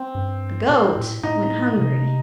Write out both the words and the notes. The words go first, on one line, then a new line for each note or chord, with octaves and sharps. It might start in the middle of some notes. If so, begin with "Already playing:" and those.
The goat went hungry.
Already playing: C4
G2
A#2
A2
A2 D#4
C3